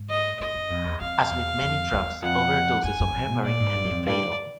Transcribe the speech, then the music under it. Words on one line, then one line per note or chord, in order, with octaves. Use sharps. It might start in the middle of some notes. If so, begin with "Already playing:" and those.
As with many drugs, overdoses of heparin can be fatal.
Already playing: G#2
D#5
F#2 D#5
F#2
F2
E2
F2 F5
E2
F2
E2
F2 F#5
F#2 G#5
F#2
F2
B2
A#2 D5
G#2
G2
F#2
F2
G2 D5